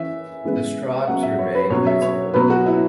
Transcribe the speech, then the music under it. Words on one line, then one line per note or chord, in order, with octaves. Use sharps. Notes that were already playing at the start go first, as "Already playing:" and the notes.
The stripes remain vertical.
Already playing: E3 C#4 E5
C#3 E3 G#3 B3
C#3 F#3 B3 F#5
E5
C#5
B4
B2 F#3 C#4 C#5
E5
C#5
B2 F#3 B3 B4
F#4
E4